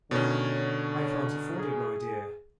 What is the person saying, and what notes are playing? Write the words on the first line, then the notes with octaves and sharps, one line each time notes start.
"I can't afford it, my dear."
B2 D3 D#3 C#4 C#5
G#4